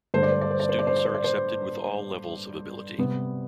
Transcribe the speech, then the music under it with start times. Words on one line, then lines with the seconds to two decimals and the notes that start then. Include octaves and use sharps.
Students are accepted with all levels of ability.
0.14 G2 D3 A3 C5
0.23 D5
0.32 C5
0.41 D5
0.51 C5
0.60 D5
0.69 C5
0.79 D5
0.87 C5
0.96 D5
1.05 C5
1.14 D5
1.24 C5
2.98 C3 G3 B3